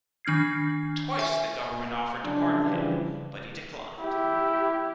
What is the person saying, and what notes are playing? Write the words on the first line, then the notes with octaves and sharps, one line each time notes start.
Twice the government offered to pardon him, but he declined.
D#3 D4 F6 G#6 C7
E5 G#5
C#3 F3 F#3 G#3 D4
C#3 E3 F3 G3
E4 G4